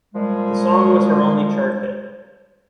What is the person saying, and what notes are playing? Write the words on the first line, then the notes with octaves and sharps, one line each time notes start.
The song was her only chart hit.
A#2 F3 G3 G#3